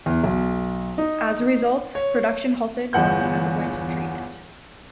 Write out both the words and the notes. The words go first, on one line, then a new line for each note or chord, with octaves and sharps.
As a result, production halted while he underwent treatment.
E2
B1
D#4
C#5
G1 E2 F#5 G6